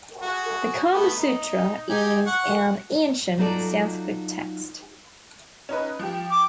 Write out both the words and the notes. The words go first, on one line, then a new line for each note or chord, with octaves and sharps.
The "Kama Sutra" is an ancient Sanskrit text.
F#4 G#4
A3 B3 E4
D#4
D#4 G4 G#5
F#5 C#6
F#3 D#4 F4 A4 D5
C#4 D#4 B4
F3 G4
D6